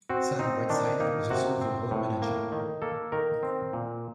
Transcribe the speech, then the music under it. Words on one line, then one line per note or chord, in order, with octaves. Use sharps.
Sam Whiteside was also the road manager.
C4 F#4
C4 D#4
D#3 D4
A#3 D#4
C3 F#4
C4
A2
A#3
D#3
A#3 A4
D#3 A#4
C4
A#2